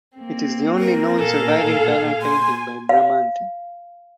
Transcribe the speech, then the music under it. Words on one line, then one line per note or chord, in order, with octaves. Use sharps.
It is the only known surviving panel painting by Bramante.
A#3 C4
A#4
A#2 G#4 A4 F5
G#5 C6
F5